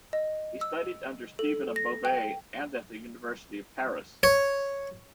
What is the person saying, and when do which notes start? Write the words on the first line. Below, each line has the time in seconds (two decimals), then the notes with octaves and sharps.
He studied under Stephen of Beauvais and at the University of Paris.
0.13 D#5
0.61 E6
1.39 A4
1.76 A#6
2.05 G5
4.23 C#5